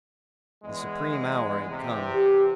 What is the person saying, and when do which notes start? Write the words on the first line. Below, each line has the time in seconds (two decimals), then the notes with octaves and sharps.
The supreme hour had come.
0.62 E2 G#3
1.70 E2 C3
2.15 G4